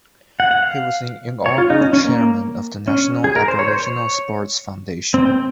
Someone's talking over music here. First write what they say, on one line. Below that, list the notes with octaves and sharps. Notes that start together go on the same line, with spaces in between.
He was the inaugural chairman of the National Aboriginal Sports Foundation.
F#5
F#5
F5
C#5
F4
D#4
C#4
C#4
A#3
C#4
G#4
A#4
C5
C#5
C5
C#5
C4
C4